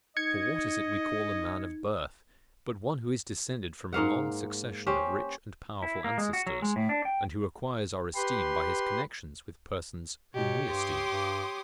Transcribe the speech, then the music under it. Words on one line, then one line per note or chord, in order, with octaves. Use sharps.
For what is it we call a man of birth, but one who is descended from a long succession of rich and powerful ancestors, and who acquires our esteem by his connexion with persons whom we esteem?
D#4 D#5 G#6 C#7
G#2 A#3 F5 F#5
C#4 G4 C5
E4
A#3
G#3
F#4
F#3
G#3
A2
D4
G5
G4 B4 C6
B2 G4 C#5
G2 C6 D6 D#6
G2